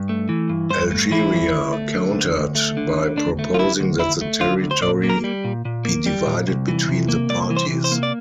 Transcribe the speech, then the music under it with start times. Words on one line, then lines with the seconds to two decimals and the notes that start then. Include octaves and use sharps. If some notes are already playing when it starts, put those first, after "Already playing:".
Algeria countered by proposing that the territory be divided between the parties.
Already playing: G2
0.09 A3
0.29 E3
0.49 G2
0.70 G2 C5
0.91 A3
1.11 E3 E4
1.32 G2
1.52 D2
1.73 A3
1.94 D3
2.15 D2
2.36 D2
2.55 A3
2.77 D3
2.96 D2
3.17 D2 D4
3.39 A3
3.54 F4
3.58 D3 E4
3.80 D2
4.00 D2 E4
4.21 A3
4.40 D3 F4
4.61 D2
4.71 C5
4.82 A#2 D5
5.03 A#3
5.10 A#4
5.24 G3
5.44 A#2
5.65 A#2
5.85 A#3
6.06 G3
6.26 A#2
6.47 C2
6.68 E3
6.88 C3
7.09 A#3
7.30 C2 D5
7.50 E3
7.57 C5
7.71 C3
7.84 C5
7.92 A#3
8.03 D5